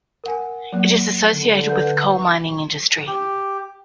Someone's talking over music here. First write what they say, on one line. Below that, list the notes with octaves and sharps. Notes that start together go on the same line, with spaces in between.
It is associated with the coal mining industry.
A#4 F#5 G#5
F#3 A#3
D3
B4 F#5 G6
G4